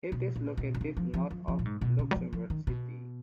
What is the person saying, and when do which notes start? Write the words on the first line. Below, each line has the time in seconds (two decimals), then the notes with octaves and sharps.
It is located north of Luxembourg City.
0.12 B2
0.36 A#2
0.57 B2
0.75 B2
0.81 C#3
0.97 F3
1.14 F3
1.31 F3
1.48 F3
1.59 A#2
1.65 G#2
1.81 B2
1.99 C#3
2.11 F#3
2.16 F3
2.33 F3
2.50 D#3
2.67 B2